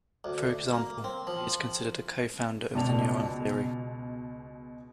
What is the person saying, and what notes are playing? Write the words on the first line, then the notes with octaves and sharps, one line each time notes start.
For example, he is considered a co-founder of the neuron theory.
D2
A#3
C4
F3
C#2 B2 D5 A5 F7